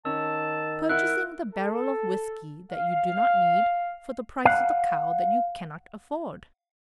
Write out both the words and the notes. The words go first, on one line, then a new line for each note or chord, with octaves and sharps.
Purchasing the barrel of whiskey that you do not need for the price of the cow that you cannot afford.
D#3 C#4 A5 E6
E4 A#4 E5 F#5 F#6
A4
F5
F5 F#5